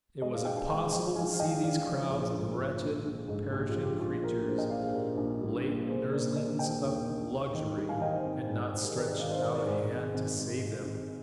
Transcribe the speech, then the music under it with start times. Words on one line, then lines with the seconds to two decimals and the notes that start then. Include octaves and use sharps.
It was impossible to see these crowds of wretched, perishing creatures, late nurslings of luxury, and not stretch out a hand to save them.
0.22 G#3 C5 D#5
0.34 D5 F5
0.45 G2 D#5 G5
0.57 F5 G#5
0.69 G#3 D#5 G5
0.92 F3 D#5 G5
1.16 G#3 F5 G#5
1.34 F5
1.39 G#3 D#5 G5
1.63 G2 D5 F5
1.87 F3
2.10 A#1 G#4 C5
2.34 G#2 F4 G#4
2.58 A#1
2.82 A#1
3.05 A#1
3.28 G#2
3.52 A#1 G4
3.69 F4
3.76 F3
3.83 G4
3.99 A#1 F4 G#4
4.23 A#2 G4 A#4
4.46 D4 G#4 C5
4.58 D#5 G5
4.70 A#1 D5 F5
4.82 G#4 C5
4.94 A#1 G4 A#4
5.17 A#1
5.41 G3
5.65 A#2
5.88 A#3 G#4 C5
6.12 A#3 A#4 D5
6.35 D4 C5 D#5
6.59 D4 D#5 G5
6.83 D#2
7.07 D#2
7.30 A#3
7.54 D#3
7.77 G3
7.89 F5 G#5
8.01 D#3 D#5 G5
8.13 C5 D#5
8.25 G#1
8.49 G#2
8.72 G#2 G#4 C5
8.83 G4 A#4
8.95 D#3 A#4 D5
9.08 A#4 D5
9.19 D#3 D5 F5
9.31 C5 D#5
9.42 D#3 A#4 D5
9.55 A#4 D5
9.66 G#2 G#4 C5
9.91 G#1
10.13 G#1
10.37 G#2
10.61 G#2
10.84 G#1